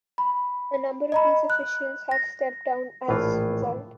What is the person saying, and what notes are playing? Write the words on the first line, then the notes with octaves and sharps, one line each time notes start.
A number of these officials have stepped down as result.
B5
D#5 A#5 B5
F#6
A#6
A#1 A2 E3 F4